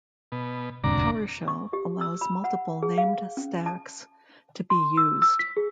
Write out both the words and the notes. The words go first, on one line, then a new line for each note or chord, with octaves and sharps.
PowerShell allows multiple named stacks to be used.
B2
E1 D2 G#2 C3 D5 A#5
C#6
G4
E6
B5
F#5
G#4
F5
C#4
A5
C6
E6
E6
B6
G#4